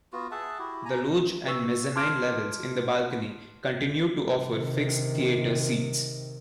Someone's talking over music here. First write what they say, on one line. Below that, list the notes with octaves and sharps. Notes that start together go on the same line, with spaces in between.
The loge and mezzanine levels in the balcony continue to offer fixed theater seats.
B3 F4 F#4
G#4 E5 F#5 A5
E4 F#4 G4
G#5 A#5
B4 C#6 E6
A5 C6 D6 F6 G#6 D7
C3 D#3